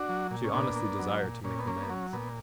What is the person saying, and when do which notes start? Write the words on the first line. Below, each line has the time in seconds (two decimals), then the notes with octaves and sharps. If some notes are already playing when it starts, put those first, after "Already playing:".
She honestly desired to make amends.
Already playing: D4 F#4
0.09 F#3
0.31 A#2
0.44 C#4
0.54 A#2 B3 D4
0.76 A#3
0.99 F#3
1.22 A#2
1.44 A#2 C#4
1.59 B3
1.67 A#3 C#4
1.82 B3
1.89 F#3 C#4
2.13 A#2 B3